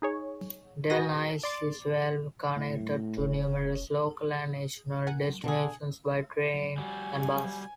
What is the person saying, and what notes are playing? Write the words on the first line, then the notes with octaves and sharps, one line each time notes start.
Delnice is well connected to numerous local and national destinations by train and bus.
D#4 G#4 C#5
F#4 G#4 B4 D#6 A#6
D5 C6 D6 A6
A2 A3
F1 C#4
A#4 F#5 G#5
B2 D3 D4 G#4
G3 F#4 G#5